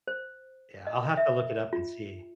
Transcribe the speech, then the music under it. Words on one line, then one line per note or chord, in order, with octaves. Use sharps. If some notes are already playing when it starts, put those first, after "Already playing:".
Yeah, I'll have to look it up and see.
C5
D#5
E5
F4